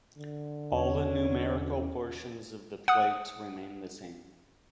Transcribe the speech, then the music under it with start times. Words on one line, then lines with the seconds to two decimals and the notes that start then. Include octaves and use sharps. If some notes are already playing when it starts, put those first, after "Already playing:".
All the numerical portions of the plate remain the same.
0.17 D3
0.72 E2 C#4 C#5
2.88 F#5 D#6